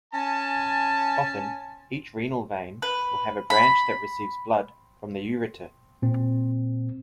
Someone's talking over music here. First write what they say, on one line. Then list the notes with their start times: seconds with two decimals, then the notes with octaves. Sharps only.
Often, each renal vein will have a branch that receives blood from the ureter.
0.13 C#4 G#5 A5
2.82 B4
3.50 B5
6.02 A#2 C4